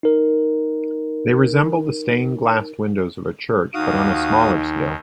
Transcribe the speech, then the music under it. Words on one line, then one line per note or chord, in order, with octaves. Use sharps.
They resemble the stained glass windows of a church but on a smaller scale.
D#4 A#4
D#2 D#4 F#4 F5 D#6